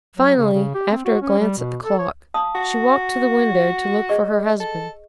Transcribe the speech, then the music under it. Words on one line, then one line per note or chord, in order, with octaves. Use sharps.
Finally, after a glance at the clock, she walked to the window to look for her husband.
F#3
C#3
C#3
G4
C4
F#4
C#4
G3
B2
A4
C#5
F5 A5 D#6
F#4
G#4 D#5 C#6
A4